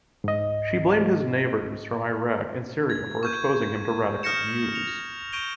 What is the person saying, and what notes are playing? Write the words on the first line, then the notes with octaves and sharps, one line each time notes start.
She blamed his neighbours from Iraq and Syria for exposing him to radical views.
G#2 D#5
G#6
C#6 G6 D#7
D#6 F6 G6 A#6 C#7 E7
C#7 F7
C#6 G6 D7 D#7 G7